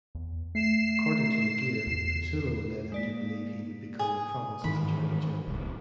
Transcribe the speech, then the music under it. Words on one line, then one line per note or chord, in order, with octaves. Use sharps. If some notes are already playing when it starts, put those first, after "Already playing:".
According to McGeer, Pattullo led him to believe he would become the province's Attorney-General.
E2
A3 C7 E7
E2
G#3 A#3 D5 B6
G#4
G#2 D#3 E3 B5
D1 C2